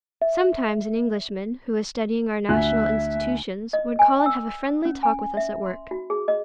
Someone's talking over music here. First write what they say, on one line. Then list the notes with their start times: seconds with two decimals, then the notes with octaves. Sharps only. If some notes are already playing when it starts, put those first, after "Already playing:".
Sometimes an Englishman, who was studying our national institutions, would call and have a friendly talk with us at work.
0.22 E5
2.49 D2 E5 G#5 F#6
3.73 D#5
3.99 G#5
4.26 E6
4.85 C#4
5.03 G#5
5.37 E5
5.66 C6
5.91 F#4
6.10 G#4
6.28 D#5